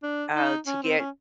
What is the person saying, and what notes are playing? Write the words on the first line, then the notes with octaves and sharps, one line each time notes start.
uh, to get,
D4
D#4
C#4
C4
C#4